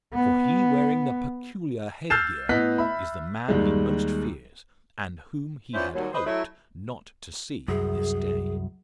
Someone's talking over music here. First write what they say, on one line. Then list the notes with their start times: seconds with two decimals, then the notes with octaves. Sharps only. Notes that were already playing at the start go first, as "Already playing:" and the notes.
For he wearing the "peculya head gear" is the man he most fears, and whom he had hoped not to see this day.
0.14 B3
2.10 E6 F6 G6 A6 C7 E7
2.49 A2 B3 D#5 F#6 B6
2.78 E5 B5
3.48 D#2 D#3 G3 G#3
5.74 B3 C#4 D4 E4 F4 C5
5.95 D#2 F#3 G3
6.13 B4 C5 D#5
6.26 F#3 A3 E4
7.68 C2 F#2 G#4